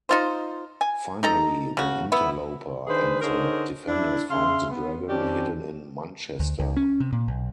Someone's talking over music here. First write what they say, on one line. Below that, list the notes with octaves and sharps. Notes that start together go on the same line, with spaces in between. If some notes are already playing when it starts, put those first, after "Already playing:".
Finally, the Interloper and the Defenders found the Dragon, hidden in Manchester.
D#4 F4 C5
G#5
D#4 A4 A#5
C#3 F#4
B3 E4
D#3 D4 G#4 B4 C5
D3 D#4 G#4 A#4 C5 C#5
D4 E4
C#3 E5 F5 C6
B3
D#3 C4 C#4 G4 D5 A5
D2
C#2
C#4
C3
A#2
B1